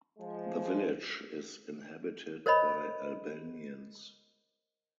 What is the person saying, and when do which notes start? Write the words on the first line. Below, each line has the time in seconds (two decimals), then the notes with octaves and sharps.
The village is inhabited by Albanians.
0.18 F3 G#3
2.46 A#4 C5 C#5 D#5 B5